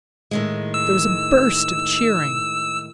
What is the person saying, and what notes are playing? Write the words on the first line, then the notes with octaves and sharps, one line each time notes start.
There was a burst of cheering.
A2 D#3 G#3
E6